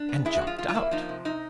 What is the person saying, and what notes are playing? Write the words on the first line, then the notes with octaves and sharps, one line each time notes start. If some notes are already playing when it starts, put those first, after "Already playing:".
And jumped out.
Already playing: D4
B3
G#3 E4
F#4
F3
F4
C3 F4
F4
A#3 E4
F3 D#4
C3
C3 D#4